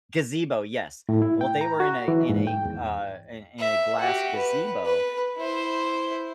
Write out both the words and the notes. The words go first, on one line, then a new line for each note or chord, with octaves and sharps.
Gazebo, yes. Well, they were in a in a, uh, in in a glass gazebo,
A2
E4
G5
A#5
F#4
E3
G#2
G5
E2
E5
F#4 G4
B4
B4
E4 C5